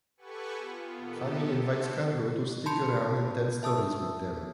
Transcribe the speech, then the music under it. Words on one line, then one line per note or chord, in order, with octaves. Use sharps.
Fanny invites Carlo to stick around and tell stories with them.
G4 A4 B4 F#5 G#5 C#6
B3 F4
A#2 D#3 B3 G4 A4
B3 C4 F#4 A4 C5 A5
A5 B5 C6 G6 C#7
E5 A5 D#6 E6